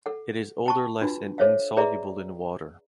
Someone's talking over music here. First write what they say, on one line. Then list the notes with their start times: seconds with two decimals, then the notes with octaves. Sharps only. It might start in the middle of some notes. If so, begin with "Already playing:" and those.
It is odorless and insoluble in water.
0.06 A4 F#5
0.66 G5 A5 C#6
1.01 D4 F4 F#4 B4
1.38 A4 C5 C#5 E5 F5
1.77 G#4 B4 D5 E5 A#5